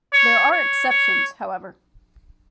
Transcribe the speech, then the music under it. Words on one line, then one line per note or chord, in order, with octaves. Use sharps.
There are exceptions, however.
C#5
C#5
C#5